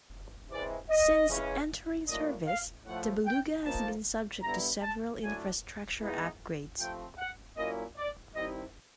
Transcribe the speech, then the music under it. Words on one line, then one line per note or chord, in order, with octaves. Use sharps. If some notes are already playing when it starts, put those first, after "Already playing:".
Since entering service, the Beluga has been subject to several infrastructure upgrades.
C3 E3 G#3 D5
D#5
C#3 E3 G#3 C#4
A2 F#3 A#3 D4 D#5
F5
A2 F3 A3 F#5
G5
F3 A#3 D#4 A5
D3 G3 B3 E4 A#5
A5
A2 F#3 A3 D4 G#5
E3 G#3 B3 D#4
C3 F3 A3 C4 G5
F#5
A#2 F#3 A#3 C#4 E4 D#5
D5
C3 D#3 G3 C4 E4 D#5